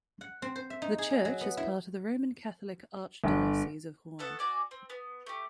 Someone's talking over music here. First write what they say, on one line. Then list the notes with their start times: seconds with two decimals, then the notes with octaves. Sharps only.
The church is part of the Roman Catholic Archdiocese of Rouen.
0.21 F#5
0.42 C4
0.56 C5
0.70 E5
0.82 D#4
0.98 G#4
1.10 G#4
1.25 F#3
1.41 B3
1.57 E4
3.24 G1
4.19 A3 B3 A4 F#5
4.39 F#4 D5 G#5
4.71 C4
4.90 B3
5.26 A3 G4